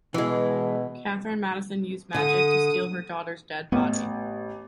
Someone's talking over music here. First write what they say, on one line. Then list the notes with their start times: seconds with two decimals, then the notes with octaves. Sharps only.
Catherine Madison used magic to steal her daughter's dead body.
0.14 B2 E3 G#3
2.14 D3 D#6
3.72 A1 B3